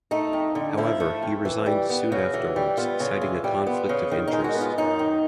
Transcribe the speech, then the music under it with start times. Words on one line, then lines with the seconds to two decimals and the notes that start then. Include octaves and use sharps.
However, he resigned soon afterwards, citing a conflict of interest.
0.11 A3 D#4
0.33 F2
0.55 D3
0.78 F3 E4
1.00 A3
1.22 F2
1.45 E3
1.66 G3
1.90 B3
2.12 C#3 F#4
2.34 E3
2.56 G3
2.77 B3 F4
3.00 C#3
3.21 E3
3.44 G3
3.67 B3
3.89 C#3
4.11 D#3
4.27 D#4
4.33 G#3
4.44 F#4
4.55 B3
4.61 F4
4.78 F#2 D#4
4.99 D#3